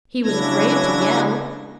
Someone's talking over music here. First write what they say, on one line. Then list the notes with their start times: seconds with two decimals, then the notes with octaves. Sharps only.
He was afraid to yell!
0.24 C#3 F#3 D4 E4 G#6 A#6